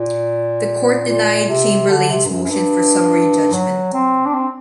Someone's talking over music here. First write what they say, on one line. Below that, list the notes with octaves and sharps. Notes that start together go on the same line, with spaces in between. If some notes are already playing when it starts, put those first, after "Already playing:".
The court denied Chamberlain's motion for summary judgment.
Already playing: A#2
A#2
C3
D3
C3
G2
F#2
F#2
G2
F#3
C4
D4
C4